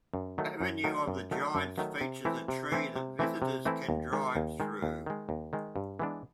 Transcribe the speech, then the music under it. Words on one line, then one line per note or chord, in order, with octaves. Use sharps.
Avenue of the Giants features a tree that visitors can drive through.
F#2
D#3 F#3 A3
F#2
D#3 F#3 A3
F#2
D#3 F#3 A3
F#2
D#3 F#3 A3
C3
E3 A3 C4 E4
C3
E3 A3 C4 E4
C3
E3 A3 C4 E4
C3
E3 A3 C4 E4
D#2
D#3 G#3
D#2
D#3 G#3
D#2
D#3 G#3
D#2
D#3 G#3
G2
E3 G#3 B3 D4